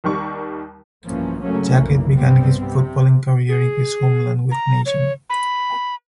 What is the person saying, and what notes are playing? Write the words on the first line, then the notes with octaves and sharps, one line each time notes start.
Jacquet began his footballing career in his homeland with Nacional.
D#2 D#3 G3 C#6
B1 G2 E3 F3 A#3 C#4
G2 C#3 F#3 A3 A#3 C#4
B1 F#2 E3 A#3
G2 C3 G3 B3 C4
C3
G#4
A#5
C#5
B5